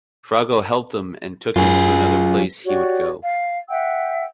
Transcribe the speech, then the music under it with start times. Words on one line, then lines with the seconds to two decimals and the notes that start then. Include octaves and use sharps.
Froggo helped him and took him to another place he would go.
1.56 F#2 F4 G#4
2.65 F#4 G4 C#5 D5
3.23 F5
3.69 E5 F#5 G5 E6